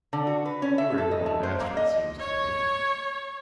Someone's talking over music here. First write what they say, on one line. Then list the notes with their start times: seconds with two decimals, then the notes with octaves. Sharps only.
You are your own master, it seems to me.
0.13 D3
0.27 F#4
0.45 B4
0.62 C#4
0.78 E5
0.98 A4
1.11 D#5
1.26 A3
1.43 C5
1.60 A#3
1.77 D#5
2.19 C#5